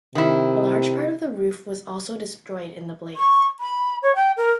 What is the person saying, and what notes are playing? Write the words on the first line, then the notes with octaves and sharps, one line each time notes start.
A large part of the roof was also destroyed in the blaze.
C3 D#3 E4
C#6
B5
C#5
G5
A#4